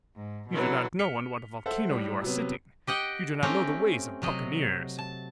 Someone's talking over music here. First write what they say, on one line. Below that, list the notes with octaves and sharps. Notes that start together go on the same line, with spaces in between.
You do not know on what a volcano you are sitting. You do not know the ways of buccaneers.
G#2
B2 D3 E3 F#3
F6 B6 C#7 F7 G7
A4 C5 E5 F#5
A2 G3
C3 F#3 B3
G4 D#5 F#5 G5
A3 C4 C#4 G4 G5 A#5
C3 F#3 D#5
A5